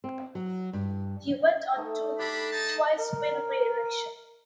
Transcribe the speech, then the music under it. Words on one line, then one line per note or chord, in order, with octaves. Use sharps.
He went on to twice win re-election.
C4
F#3
G2
A3 D#4
D4 G4 A4 B5
D#4 A5
A#4